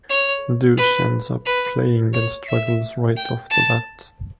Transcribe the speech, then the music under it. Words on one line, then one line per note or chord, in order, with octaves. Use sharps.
Deuce ends up playing and struggles right off the bat.
C#5
B4
B4
C#5
E5
G5
A5